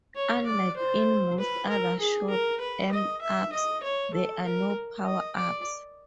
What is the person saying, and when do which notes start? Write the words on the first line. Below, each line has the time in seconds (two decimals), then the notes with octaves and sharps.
Unlike in most other shoot 'em ups, there are no power-ups.
0.16 C#5
0.46 D5
0.76 C5
1.38 B4
1.69 A#4
1.99 G#4
2.30 A#4
2.60 B4
2.91 D#5
3.21 E5
3.53 D#5
3.83 C#5
4.14 A4
4.44 A#4
5.05 D#5
5.36 D5